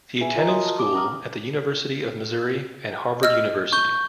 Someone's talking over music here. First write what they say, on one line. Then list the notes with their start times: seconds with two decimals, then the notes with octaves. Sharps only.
He attended school at the University of Missouri and Harvard University.
0.21 G#4 B4 E5 G#5
0.35 F4 A#4 C#5 D#5 A#5
0.48 F#4 C6 D#6
0.65 A5
0.79 D6
0.94 C#4 A#5 D#6 F6
3.23 D#5 E6 F6
3.73 C#6 G6 G7